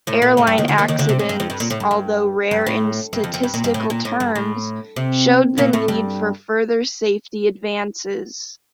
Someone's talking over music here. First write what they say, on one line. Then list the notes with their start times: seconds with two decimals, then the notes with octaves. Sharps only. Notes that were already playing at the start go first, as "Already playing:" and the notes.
Airline accidents, although rare in statistical terms, showed the need for further safety advances.
0.07 A2 A3
0.22 A#2 A#3
0.37 A2 A3
0.47 G2 G3
0.58 D#2 D#3
0.68 D2 D3
0.78 D#2 D#3
0.88 D#2 D#3
0.99 D2 D3
1.09 C3
1.19 A2
1.29 G2
1.40 F2
1.50 G2
1.60 A#2
1.70 A2
1.80 G2
1.91 G2
2.51 G2
2.66 A2
3.13 G2
3.24 F2
3.34 F2
3.43 G2
3.54 A#2
3.64 G2
3.74 A2
3.90 A#2
4.05 A2
4.20 G2
4.35 A2
4.96 C3
5.58 A#2 A#3
5.73 A2 A3
5.88 G2 G3